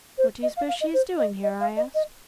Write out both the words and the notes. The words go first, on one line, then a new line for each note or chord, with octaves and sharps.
"What do you suppose she is doing here?" I asked.
C5
D#5
F5
F5
D#5
C5
D#5
D#5
F5
D#5
D#5